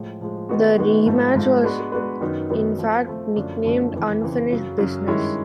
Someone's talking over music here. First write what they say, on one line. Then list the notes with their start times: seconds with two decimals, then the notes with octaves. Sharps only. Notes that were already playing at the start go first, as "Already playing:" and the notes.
The rematch was, in fact, nicknamed "Unfinished Business".
Already playing: A2 F3 G#3
0.21 A2 F3 G#3
0.49 D#3 G#3 B3 D#4 F#4
0.78 D#3 G#3 B3 D#4 F#4
1.06 G#2 F3 A3
1.35 G#2 F3 A3
1.64 G#3 B3 D4 F#4 B4
1.92 G#3 B3 D4 F#4 B4
2.21 F#2 D#3 F#3 B3 D#4
2.50 F#2 D#3 F#3 B3 D#4
2.78 F3 A3 C4
3.07 F3 A3 C4
3.36 F#2 D3 F3 A3 D4
3.64 F#2 D3 F3 A3 D4
3.93 F2 C#3 E3
4.22 F2 C#3 E3
4.51 F#2 C#3 F#3
4.78 F#2 C#3 F#3
5.07 G2 D#3 G#3 C#4 E4